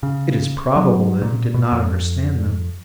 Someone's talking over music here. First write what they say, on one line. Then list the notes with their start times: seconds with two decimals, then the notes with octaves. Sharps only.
It is probable that he did not understand them.
0.03 C#3
0.76 F#3
1.22 A#2
1.54 B2
1.72 F2